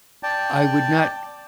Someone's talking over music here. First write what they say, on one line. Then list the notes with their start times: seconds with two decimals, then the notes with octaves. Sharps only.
I would not,
0.23 D5 G5 A5